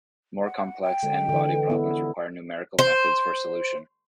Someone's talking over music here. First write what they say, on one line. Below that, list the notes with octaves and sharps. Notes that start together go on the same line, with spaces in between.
More-complex n-body problems require numerical methods for solution.
F#5
G5
D3 G#3
D3 E3
B3 E4
C5